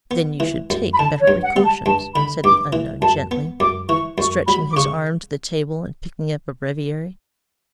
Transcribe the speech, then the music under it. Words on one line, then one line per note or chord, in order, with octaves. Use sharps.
"Then you should take better precautions," said the unknown gently, stretching his arm to the table and picking up a breviary.
B3
E3
F#2
B5
D3 A5
C#5
G2
F#5
G3
A5
G2 A5
D3 B5
G2 D6
E3
F#2 A5
B3
F#2 D6
E3 C#6
F#2 C#6
F#3 B5
D6
C#3 C#6